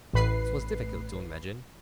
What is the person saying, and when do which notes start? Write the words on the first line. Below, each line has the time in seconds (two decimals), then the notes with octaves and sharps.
It was difficult to imagine.
0.13 A1 A2 B4 C7